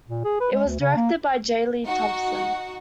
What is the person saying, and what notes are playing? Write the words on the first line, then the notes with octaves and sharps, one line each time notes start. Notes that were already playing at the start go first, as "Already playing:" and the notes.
It was directed by J. Lee Thompson.
A#2
G#4
B4
G#3
D2
C#3
A#3
D#4 F#4 F#5